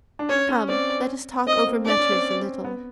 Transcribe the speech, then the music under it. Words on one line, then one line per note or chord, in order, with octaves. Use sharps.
Come! let us talk over matters a little.
D4
C#4 C#5
C#4
C4 D5
C4 D#5
A#3
D4 D5
C#4
C4
B3